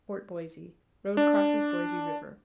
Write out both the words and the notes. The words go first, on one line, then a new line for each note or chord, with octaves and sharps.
Fort Boise.--Road crosses Boise River.
D4